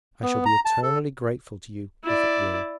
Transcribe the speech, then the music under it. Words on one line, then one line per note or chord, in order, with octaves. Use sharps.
I shall be eternally grateful to you if it will.
B3
A#5
A5
A4
E4 D5